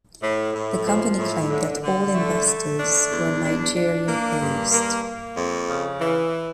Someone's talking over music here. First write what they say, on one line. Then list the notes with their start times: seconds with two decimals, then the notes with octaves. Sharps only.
The company claimed that all investors were Nigeria-based.
0.22 A2
0.54 A2
0.86 F3
1.18 A2
1.50 D3
1.83 D3
2.14 A3
2.48 A3
2.79 D4
3.11 E2
3.44 D4
3.75 D4
4.08 A#3
4.40 G2
4.72 A#3
5.04 A#3
5.36 F2
5.69 C#3
6.00 E3